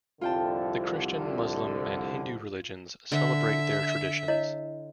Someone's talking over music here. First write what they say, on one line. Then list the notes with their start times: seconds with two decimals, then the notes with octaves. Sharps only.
The Christian, Muslim, and Hindu religions celebrate their traditions.
0.21 C2 F2 D3 F4 G5 A5
3.12 D3 E5
4.28 E4 C#5 D#5